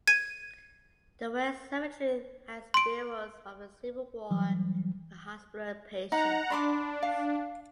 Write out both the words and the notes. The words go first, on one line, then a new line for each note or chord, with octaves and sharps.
The West cemetery has burials from the Civil War and hospital patients.
G#6 D#7
C6 D7
E3 F#3 G3
D#4 F#5 A#5
D4 B5 C6 D6
F5